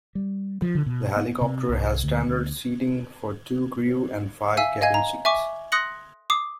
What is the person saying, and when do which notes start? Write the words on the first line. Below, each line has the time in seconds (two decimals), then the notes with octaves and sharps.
The helicopter has standard seating for two crew and five cabin seats.
0.15 G3
0.62 F3
0.75 D3
0.86 B2
1.16 B3
1.41 C3
1.69 C2
2.03 D2
2.27 D2
4.57 E5 F5 G#5 E6 B6
4.81 D#5 F5 G#5 G#6 C7
4.94 A#5
5.25 E5 G#5 C#6 D6
5.72 C6 D#6 F#6 A#6 C#7 F#7
6.30 D6 D#6 C7